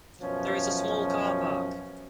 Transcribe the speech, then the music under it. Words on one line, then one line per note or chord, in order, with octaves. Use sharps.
There is a small car park.
F#2 B2 F3 C#4